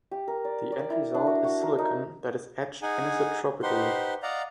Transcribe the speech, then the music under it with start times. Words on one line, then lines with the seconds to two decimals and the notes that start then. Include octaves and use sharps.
The end result is silicon that is etched anisotropically.
0.11 G4
0.28 A#4
0.45 D5
0.72 D5
0.90 E4
1.15 D4
1.27 F#4
1.44 F#4
1.63 A#4
1.78 D#4
2.82 D#4 G#4 F#5 G#5
3.63 D#4 G4 B4 C5 F#5 C6
4.23 D5 D#5 F5 F#5 A#5